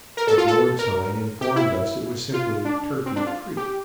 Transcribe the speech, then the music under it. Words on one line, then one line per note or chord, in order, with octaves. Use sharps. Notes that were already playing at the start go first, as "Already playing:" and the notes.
A board sign informed us it was simply Turkey Creek.
A#4
A4
F4
A4
A#4
G4
E4
F4
D4
C4
D4
F4
G4